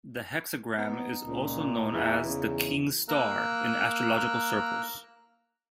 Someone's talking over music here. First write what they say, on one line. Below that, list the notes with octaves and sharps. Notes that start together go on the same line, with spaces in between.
The hexagram is also known as the "King's Star" in astrological circles.
B3 D#4
C#2 A#2
E2 E3
C#3
A#3 A#4 A#5 E6 F#6